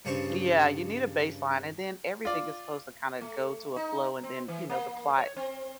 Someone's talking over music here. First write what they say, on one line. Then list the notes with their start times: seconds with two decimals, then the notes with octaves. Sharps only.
Yeah, you need a baseline, and then everything is supposed to kinda go to a flow and then, you know, the plot
0.05 G2 C#3 G3 C#4 C5 C#6
2.25 F4 D5
3.21 A3
3.76 D#4
4.23 C4
4.48 E3
4.70 A#3
5.18 C#5
5.36 C4